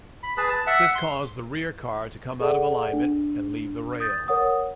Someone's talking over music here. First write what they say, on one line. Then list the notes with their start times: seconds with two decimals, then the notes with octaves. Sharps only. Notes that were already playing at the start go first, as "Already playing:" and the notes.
This caused the rear car to come out of alignment and leave the rail.
0.23 B5
0.37 G#4 B4 A5
0.50 A5
0.67 E5 F#5
0.95 C6
2.40 G#4 A4 D5 F#5
2.93 D4
4.00 D#6 G6 A6
4.28 A#4 C#5 F#5 D#6